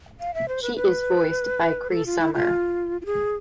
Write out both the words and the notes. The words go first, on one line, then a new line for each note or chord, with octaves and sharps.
She is voiced by Cree Summer.
F5
E5
C5
B4
B4
A4
F4
E4
F4
F4
G#4